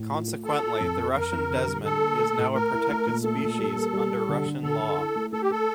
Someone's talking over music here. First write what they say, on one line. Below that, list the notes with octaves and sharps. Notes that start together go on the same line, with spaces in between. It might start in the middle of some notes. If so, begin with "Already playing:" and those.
Consequently, the Russian desman is now a protected species under Russian law.
Already playing: A2
F4
A3
F4 A4
F4
F2
F2
F2 A#4
F2
D3
G3
D3 A4
A#3
A3
A2
A3 A#4
E4
A3
A#2
A3 A4
A#2
G3
A#3
G3
G3
D3
D3
D3 A4
D3
E4
A3
A3 A4
G4
A3 A4